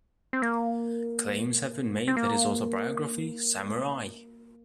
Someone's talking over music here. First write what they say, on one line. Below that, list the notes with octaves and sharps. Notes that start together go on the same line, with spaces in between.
Claims have been made that his autobiography Samurai!
C4
A#3
C4
A#3